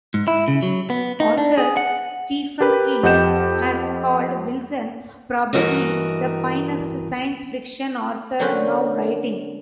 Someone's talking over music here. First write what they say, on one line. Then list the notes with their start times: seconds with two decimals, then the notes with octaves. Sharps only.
Author Stephen King has called Wilson "probably the finest science-fiction author now writing".
0.14 G#2
0.28 E4
0.48 C#3
0.63 F#3
0.90 B3
1.20 D#4
1.38 D4
1.58 G#4
1.77 F#5
2.61 G4 A#4 B4
3.03 F2 G4 D#5 F#5 G6 E7
5.53 G2 C3 E3 F#4 A#4 D#5
8.39 D3 F#3 A#3 C#4 B4 C5